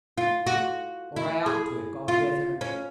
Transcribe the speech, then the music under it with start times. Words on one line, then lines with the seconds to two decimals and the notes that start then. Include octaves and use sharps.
Or I ought to have gone with her.
0.18 F4
0.47 F#4
1.16 E4
1.46 G#4
2.08 F4
2.61 C#4